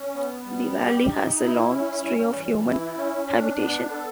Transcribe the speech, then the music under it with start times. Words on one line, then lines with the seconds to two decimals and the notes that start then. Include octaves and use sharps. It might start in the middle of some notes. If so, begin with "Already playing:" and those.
The valley has a long history of human habitation.
Already playing: C#4
0.15 B3
0.45 G3
0.77 G4
1.08 D#4
1.40 E4
1.71 C#4
2.02 G3
2.33 E3
2.65 E4
2.96 C#4
3.28 D4
3.59 B3
3.90 A4